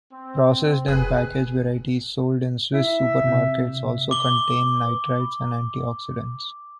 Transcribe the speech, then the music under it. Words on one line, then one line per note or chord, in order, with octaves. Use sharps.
Processed and packaged varieties sold in Swiss supermarkets also contain nitrites and antioxidants.
C4
F1 G#4 B4 F#6
E4 E5
C3
D6 G7